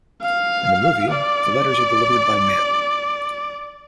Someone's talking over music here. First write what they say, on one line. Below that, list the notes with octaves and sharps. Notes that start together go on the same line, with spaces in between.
In the movie, the letters are delivered by mail.
F5
D5